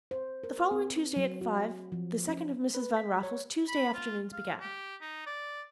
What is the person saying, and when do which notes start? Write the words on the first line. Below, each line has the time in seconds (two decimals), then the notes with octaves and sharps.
The following Tuesday at five the second of Mrs. Van Raffles's Tuesday afternoons began.
0.11 C5
0.43 A#4
0.71 C4
1.16 F#3
1.41 F#4
1.92 F3
2.28 C#4
2.75 B4
2.96 B6
3.23 C#5
3.68 B5
3.93 F4
4.33 F5
4.60 G4
5.01 D#4
5.26 D5